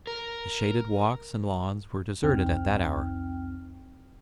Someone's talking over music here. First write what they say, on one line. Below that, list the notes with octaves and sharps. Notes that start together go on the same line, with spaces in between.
The shaded walks and lawns were deserted at that hour.
A#4
C2 F2 C4 D#4 G5 F6